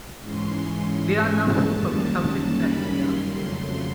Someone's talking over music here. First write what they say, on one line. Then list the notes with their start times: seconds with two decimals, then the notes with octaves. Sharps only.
There are now four public houses in the area.
0.22 G#2 E3 G#3 C#4 C6
0.99 G#5
1.39 A5
1.77 F#2 D#3 G3 A#3 C#4
2.53 B5
2.92 C6
3.31 F2 C#3 F#3 A3 C6